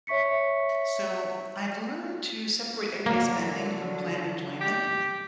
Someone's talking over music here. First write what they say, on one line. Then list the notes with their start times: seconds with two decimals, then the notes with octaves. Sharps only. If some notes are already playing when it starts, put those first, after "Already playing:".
So, I've learned to separate everyday spending from planned enjoyment.
0.07 C#5 E5 C#6 B6 C#7
3.06 D3 F#3 A#3
4.61 G4